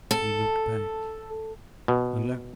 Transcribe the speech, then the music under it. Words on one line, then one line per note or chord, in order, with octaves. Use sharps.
He looked back, and lo!
A4
B2